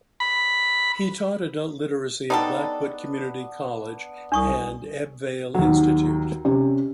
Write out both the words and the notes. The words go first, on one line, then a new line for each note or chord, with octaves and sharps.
He taught Adult Literacy at Blackwood Community College and the Ebbw Vale Institute.
B5
B3 D4 D#4 G4 A4
C2 D4 C#6 D#6
D#2 F#3
C3 C#4